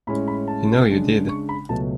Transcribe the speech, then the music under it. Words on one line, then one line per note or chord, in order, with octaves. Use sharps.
You know you did.
A2 G#3 C#4 B5
B5
A5
C#3 G#3 D4
C#6
B5
C#2 B2 F#3 A3 A5